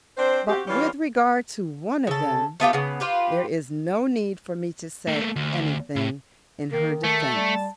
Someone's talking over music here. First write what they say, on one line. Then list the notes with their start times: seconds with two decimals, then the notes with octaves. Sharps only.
But with regard to one of them there is no need for me to say anything in her defence.
0.17 C4 D4 C5
0.48 C4 F#4 G4
0.67 E3 G3 C#4 F4
2.07 C#3 A4
2.60 A3 B3 F4 G4
2.73 C#3 B3
3.00 F4 G4 B4
5.08 A3 A#3
5.36 D2
5.96 A2
6.72 D#3 A#3
7.04 A3 A5
7.34 G3